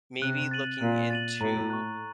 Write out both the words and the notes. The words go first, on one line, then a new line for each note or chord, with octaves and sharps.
maybe looking into
C3 F#6
A6 D#7 F#7
A#2 F#6
A6 D#7 F#7
A2 A#5
C#6 F#6